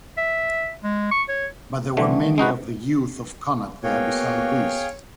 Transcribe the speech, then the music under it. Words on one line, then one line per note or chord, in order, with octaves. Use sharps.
But there were many of the youth of Connacht there besides these.
E5
G#3
C#6
C#5
D3 E3 G3 A3
G#3 D#4 F#4 B4
A#3 B3 F#4 G#4 C#5 F5 G5